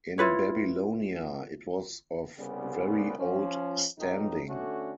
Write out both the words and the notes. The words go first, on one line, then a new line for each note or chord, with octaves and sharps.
In Babylonia, it was of very old standing.
E4 F4 B4 C#5
C2 C#3 G3 B3
F3 C#4
B1 F2 D#4
D3 A3 C#4 D4 F#4